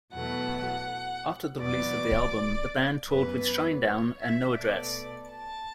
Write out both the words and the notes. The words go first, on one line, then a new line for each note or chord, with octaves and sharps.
After the release of the album, the band toured with Shinedown and No Address.
E2 B2 F#3 A3 F#5
E2 B2 F#3 D5
F#2 E3 B3 B4
C#5
E5
B2 A3 D5
A5